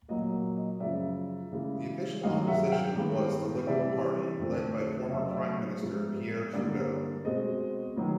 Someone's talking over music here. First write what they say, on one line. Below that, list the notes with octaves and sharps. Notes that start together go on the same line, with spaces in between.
The Official Opposition was the Liberal Party, led by former prime minister Pierre Trudeau.
A#2 F#3 A#3 D#5
D#5
F#2 C#3 F3 D5 E5
C#3 E3 G#3
G2 D#3 F#3 D#5 F5
E5 F#5
F5 G5
G2 D#3 G#3 B3
C3 E3 G3 D5 E5
F2 D3 F3 A3
C#3 F#3 A3 E5
D#5
D5 E5
G#2 F3 G#3 B3
G2 D3 G3 A#3 D5
B2 G#3 C4 D#5
D#3 F#3 B3